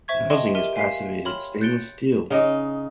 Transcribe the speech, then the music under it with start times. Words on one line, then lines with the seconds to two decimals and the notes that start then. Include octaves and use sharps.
The housing is passivated stainless steel.
0.08 C5 E5 C#6 G#6
0.30 D#5 G5 A5 C6 C#6
0.55 G4 A#4 E5 F6 D#7
0.76 F5 G#5 C6 B6 C7
1.25 C#5 G5 B5 C6 F6 F#7
1.61 F#6 G6 A6 C#7 D7 G7
2.30 C#3 D#4 D#5